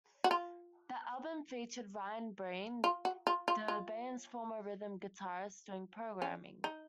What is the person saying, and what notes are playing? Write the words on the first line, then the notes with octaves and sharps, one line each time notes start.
The album featured Ryan Breen, the band's former rhythm guitarist, doing programming.
F#4
F4
F4
F#4
F4
F4
F4
C#4
D#4